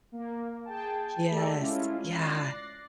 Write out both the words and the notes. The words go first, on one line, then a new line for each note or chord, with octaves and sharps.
Yes, yeah.
A#3
G#4 G5 A5
A3 G4 A4 D5
G#3 C#4 E4 F4
D5 F#6 A6 A#6 C7